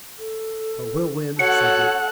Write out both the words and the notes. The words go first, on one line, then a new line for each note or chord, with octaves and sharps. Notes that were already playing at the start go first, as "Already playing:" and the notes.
"But we'll win!" said Dick.
A4
F#4 A4 C#5 F#5 F#6